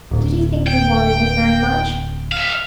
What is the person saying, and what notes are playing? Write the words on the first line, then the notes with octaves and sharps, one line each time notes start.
'Did he think you wanted it very much?'
D1
G5
E5 F5